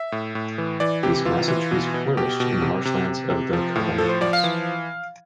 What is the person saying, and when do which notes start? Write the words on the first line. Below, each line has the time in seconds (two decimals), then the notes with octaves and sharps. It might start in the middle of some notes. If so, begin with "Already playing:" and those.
These massive trees flourished in marshlands of the Carboniferous.
Already playing: E5
0.12 A2
0.35 A2
0.58 E3
0.80 E3 D5
1.03 C3 G4
1.25 E3 F4
1.48 E3
1.71 B2
1.94 B2
2.17 B2 G4
2.40 B2
2.62 C3
2.85 C3
3.08 C3
3.30 C3
3.53 F3
3.75 A2
3.98 F3 A4
4.09 C5
4.21 F3 D5
4.33 F5
4.44 E3